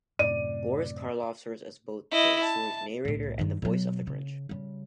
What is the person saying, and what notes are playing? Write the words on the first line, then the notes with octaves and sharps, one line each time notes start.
Boris Karloff serves as both the story's narrator and the voice of the Grinch.
F#2 A2 C3 D5 D#7
E4 D#5
A5
C2 A2
G2 D#3
B2 F#3
C#3
C#3 G3